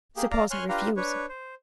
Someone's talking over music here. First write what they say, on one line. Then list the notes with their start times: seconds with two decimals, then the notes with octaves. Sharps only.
"Suppose I refuse?"
0.17 A#3 G4 G#4
0.31 D5 F5 A#5
0.51 C#5 G#5 C6 F6 F#6
0.69 D4 F4 G4 B4 F5 A#5
0.97 D4 B4 C#5
1.29 C5